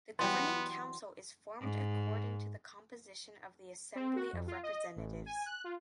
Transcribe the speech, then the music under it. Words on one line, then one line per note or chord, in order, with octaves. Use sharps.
The Governing Council is formed according to the composition of the Assembly of Representatives.
E3 F#3 G3 B3 C6
G#2
C4
F#4
F2
F4
D#5
A1
G#5
F#6
F4